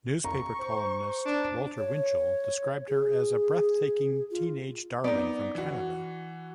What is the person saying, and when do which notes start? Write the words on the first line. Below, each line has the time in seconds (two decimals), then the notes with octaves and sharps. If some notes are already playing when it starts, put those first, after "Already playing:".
Newspaper columnist Walter Winchell described her as a breathtaking teen-age darling from Canada.
0.24 A#5 C#6
0.59 C5
1.25 D4
1.78 C#5
2.88 G#4
4.31 F4
5.04 B3 D#4 D5
5.55 E3 F#4